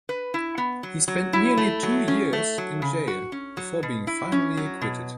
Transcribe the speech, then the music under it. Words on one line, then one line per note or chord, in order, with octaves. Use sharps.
He spent nearly two years in jail, before being finally acquitted.
B4
E4
B3
F#3
F#3
E4
A3
F#3
C#4
A3
F#3
C#3
F#4
C#4
F#3
B2
E4
C#4
F#3
B2